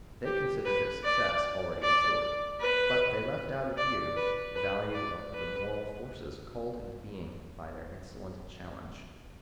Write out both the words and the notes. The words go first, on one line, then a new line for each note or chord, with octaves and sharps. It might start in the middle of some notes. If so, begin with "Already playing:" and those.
They considered their success already assured; but they left out of view the value of the moral forces called into being by their insolent challenge.
G4
B4
D5
D5
B4
D5
B4
B4
D5
B4